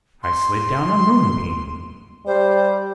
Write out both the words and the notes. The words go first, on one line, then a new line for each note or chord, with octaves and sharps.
"I slid down a moonbeam."
C6
G3 C5